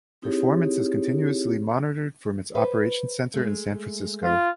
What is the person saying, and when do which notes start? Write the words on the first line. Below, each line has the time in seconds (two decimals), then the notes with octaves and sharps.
Performance is continuously monitored from its operations center in San Francisco.
0.22 C4 D#4 E4 G4 G#4 C#5
2.55 B4 C5
3.34 G#3 A3
4.23 F4